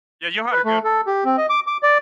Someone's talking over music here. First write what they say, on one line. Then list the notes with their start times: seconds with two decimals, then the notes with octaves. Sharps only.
Yeah, you had a good
0.52 B4
0.65 A3
0.84 A4
1.07 G4
1.25 C4
1.37 D#5
1.50 D6
1.67 D6
1.83 D5